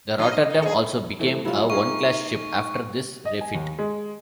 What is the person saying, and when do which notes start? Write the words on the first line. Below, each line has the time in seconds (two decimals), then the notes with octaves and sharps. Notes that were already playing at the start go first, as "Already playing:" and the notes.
The "Rotterdam" also became a one class ship after this refit.
0.18 F#3 D#4 F4
0.31 D#5
0.50 A2 D#4
0.62 G#4 A4
1.19 E3 A3 C4
1.45 F#3 G3 E4 F4
1.70 A#3 D#4 F4 G#4 C#6
3.25 D#5
3.41 G#5
3.55 D#2
3.79 G#3